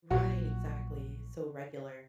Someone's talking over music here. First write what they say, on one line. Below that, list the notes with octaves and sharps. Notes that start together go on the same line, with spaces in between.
Right, exactly, so regular.
A#1 A#2 F#3 F#4